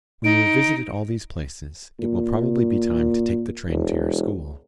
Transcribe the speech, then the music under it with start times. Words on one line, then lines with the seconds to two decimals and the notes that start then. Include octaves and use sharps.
When you have visited all these places, it will probably be time to take the train to your school.
0.24 D#4 D7
1.99 A#2
3.68 E1